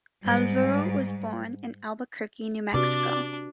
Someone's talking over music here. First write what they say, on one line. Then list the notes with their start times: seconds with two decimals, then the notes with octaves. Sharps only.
Alvaro was born in Albuquerque, New Mexico.
0.22 G#2 G3
2.74 C3 D4 F#4 G4 B4 D5